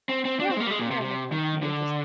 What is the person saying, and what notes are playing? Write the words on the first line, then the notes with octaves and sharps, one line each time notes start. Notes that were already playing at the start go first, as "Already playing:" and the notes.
Yeah. No, that makes sense maybe just
C4
C4
D4
C4
G#3
A#3
G3
G#3
A#2
C3
C3
D#3
D3